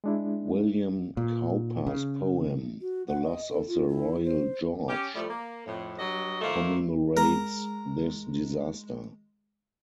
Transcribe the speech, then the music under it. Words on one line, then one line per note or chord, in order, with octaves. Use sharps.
William Cowper's poem, the "Loss of the Royal George", commemorates this disaster.
G#3 D4 E4
A#2
C#3
F#4
F#5
D#5
A4
F4
E4
C5
C#4 G4
A2 F3 G3 A3
A#3
F2 A2
G2 F#3 F#4 D#5
A2 D#3 F3 A3 A#3
G#3 A#4